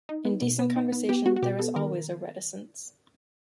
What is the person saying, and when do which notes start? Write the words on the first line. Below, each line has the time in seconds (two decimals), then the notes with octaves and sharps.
In decent conversation there is always a reticence.
0.09 D#4
0.25 B3
0.42 B2
0.59 B3
0.76 D#4
0.92 B3
1.09 B3 G4
1.26 B3 F#4
1.36 F#4
1.42 B2 G4
1.59 B3 A4
1.76 D#3 A#4